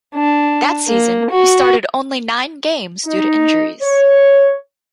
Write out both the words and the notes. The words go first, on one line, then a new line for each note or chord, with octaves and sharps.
That season, he started only nine games due to injuries.
D4
A#3
F#4
D#4
C#5